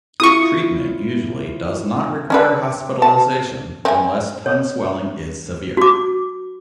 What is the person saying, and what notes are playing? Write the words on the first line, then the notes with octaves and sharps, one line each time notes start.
Treatment usually does not require hospitalization unless tongue swelling is severe.
E4 F4 C#6 D#6
C#4 D4 B4
A5
C4 G#5
C#5
F#4 D6